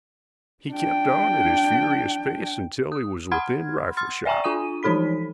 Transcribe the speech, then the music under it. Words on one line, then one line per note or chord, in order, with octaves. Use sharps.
He kept on at his furious pace until he was within rifle shot.
D4 G5
D#6
F#5 B5 C6 F6 G#6
C6 F6 A6
D5 E5 G5 G#5 A#5 C#6
D4 F4 G#5 D#6 D#7
E3 F3 D#4 A4 B5 B6